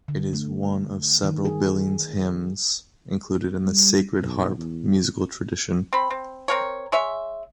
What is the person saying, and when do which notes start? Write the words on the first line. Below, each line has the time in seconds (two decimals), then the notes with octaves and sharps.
It is one of several Billings' hymns included in the "Sacred Harp" musical tradition.
0.08 D3
0.33 A3
1.24 D#3
1.45 G#4
3.66 G3
4.21 B1
4.57 E2
5.93 C4 B5
6.10 C4
6.48 C4 A#4 C#5
6.92 G#3 C#5 E5